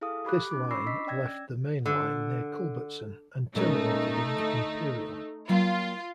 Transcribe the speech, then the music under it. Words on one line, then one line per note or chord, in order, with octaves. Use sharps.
This line left the main line near Culbertson and terminated in Imperial.
E4 G#4 A4 F5 D#6
G4 B5 D6 F#6
C#4 D#4 D6
B5 C#6 D6 E6 A#6 C7
D4 D#5 E6 B6
C#4 D5 G5 E6 G#6 A#6
D3
A#2 G#3 A3 C#4 D#4
D2 A4
F#3 A#3 F4 G5